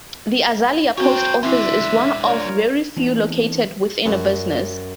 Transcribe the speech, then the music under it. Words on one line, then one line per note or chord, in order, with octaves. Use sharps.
The Azalia post office is one of very few located within a business.
C4 F#4 A#4 C5 C#5 G5
G#3 C4 D4 E4 E5
F4 A#4 C#5 D5
E3 A3 B3 C4 D4 D#4
F#2